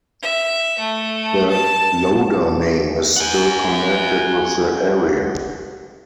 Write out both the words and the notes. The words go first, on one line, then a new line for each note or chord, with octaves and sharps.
The Loder name is still connected with the area.
E5
A3
A5
F#5 G#5